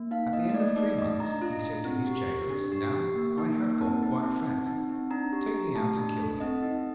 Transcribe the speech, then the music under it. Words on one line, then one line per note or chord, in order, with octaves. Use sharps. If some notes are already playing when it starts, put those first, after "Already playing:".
At the end of three months he said to his gaolers: 'Now I have got quite fat; take me out, and kill me.'
Already playing: A#3
D#4 F5
A#3 D#5
D#5
A3 D5
D#4 D5
A3 D#5
D4 A#5
F4
D4
C4
G4
G4
D4
G4
G4
A#3
D#4
A#3
C4 A5
D#4
C4
C4
D#4
C4
D4 A#5
G4
G4
A3 A5
D4
A4
C4 D#5
D#4